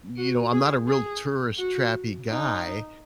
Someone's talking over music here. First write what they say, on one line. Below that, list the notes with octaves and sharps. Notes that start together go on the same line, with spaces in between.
you know, I'm not a real tourist trappy guy
F#4
G#4
G#4
F#4
D#4